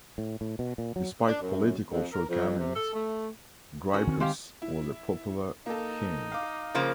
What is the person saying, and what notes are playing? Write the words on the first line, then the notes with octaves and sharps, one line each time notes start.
Despite political shortcomings, Grypus was a popular king.
A2
A2
B2
A#2
F#3
D4
F#2
F2
A#4
F2
C3
A4
A3
C#4 F#4 A#4
D#3 C4
G#3 G4 F5
E4
A#3 D#4 A4
F5 D6
C#3 F3 A#3 C5